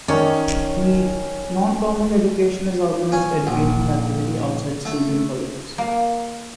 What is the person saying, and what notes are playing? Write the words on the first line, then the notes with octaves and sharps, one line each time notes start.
Non-formal education is organized educational activity outside schools and colleges.
D#3 C#4 C#5 D5
C#4
A#1
A3
A#3